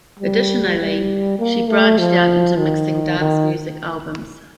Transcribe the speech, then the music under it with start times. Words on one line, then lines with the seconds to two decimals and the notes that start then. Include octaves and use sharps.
Additionally, she branched out into mixing dance music albums.
0.19 G3
0.79 G3
1.39 A#3
1.69 A3
1.98 F3
2.59 D#3
3.19 D#3